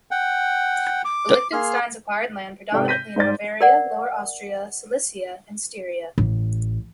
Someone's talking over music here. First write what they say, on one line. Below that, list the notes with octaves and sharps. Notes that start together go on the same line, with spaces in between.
The Liechtensteins acquired land, predominantly in Moravia, Lower Austria, Silesia, and Styria.
F#5 G5
D6
A#3 G#4 C6 F6
G#2 C3 A4 D5 G5
G6 A#6 B6 D#7
G#2 C5 D5 A6
A#4 D5 F#5
A1